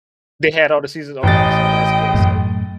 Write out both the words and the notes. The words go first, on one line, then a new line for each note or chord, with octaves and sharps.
They had all the seasons? Okay, so that's good, so
A1 D#5 G5 A6
F#2 A2